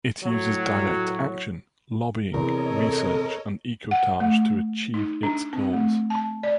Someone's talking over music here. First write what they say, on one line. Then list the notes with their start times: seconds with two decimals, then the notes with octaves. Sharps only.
It uses direct action, lobbying, research, and ecotage to achieve its goals.
0.23 A2 F#3
2.34 E2 C3 C4 A4 A#4 C#5 D#5
3.91 F#5
4.20 A3
4.94 D#4
5.23 D4
5.53 C4
5.73 A3
6.10 A5
6.43 D5